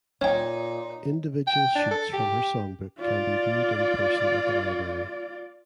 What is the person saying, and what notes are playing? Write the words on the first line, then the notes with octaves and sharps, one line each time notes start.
Individual sheets from her songbook can be viewed in person at the library.
A#2 C#4 D#4 C#5 G5
G5
D4
A4
G4
F4 D5